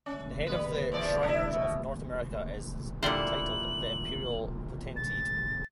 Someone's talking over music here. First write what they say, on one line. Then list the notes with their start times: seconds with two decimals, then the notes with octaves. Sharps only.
The head of the Shriners of North America is titled the Imperial Potentate.
0.06 C#4
0.47 G3 B4
0.92 E2 F3 D5
1.24 D4 E4
1.53 B2
3.03 A#2 D3 G3 E4 C5 F#7
4.96 A6